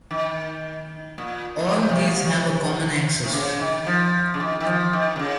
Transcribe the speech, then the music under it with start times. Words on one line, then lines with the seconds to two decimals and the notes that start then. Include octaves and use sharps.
All these have a common axis.
0.11 D#3
1.18 A#2
1.71 A2
1.89 C3
2.07 A#2
2.25 C3
3.24 C3
3.33 C#3
3.60 D#3
3.86 F3
4.34 C#3
4.40 D#3
4.60 D#3
4.66 F3
4.93 D#3
5.16 C3
5.19 C#3